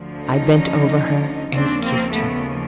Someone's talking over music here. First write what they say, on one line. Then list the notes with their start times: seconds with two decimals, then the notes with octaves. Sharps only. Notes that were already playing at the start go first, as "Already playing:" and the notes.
I bent over her and kissed her.
Already playing: D2 D3 F3
0.23 C#4 D#4
1.54 D#2 C#3 F3 C4 D4
1.83 A#3 C4
2.12 A3 B3